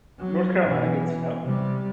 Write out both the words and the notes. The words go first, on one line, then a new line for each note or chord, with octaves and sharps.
North Carolina gets snow?
F#3
B2 E3
C3 G3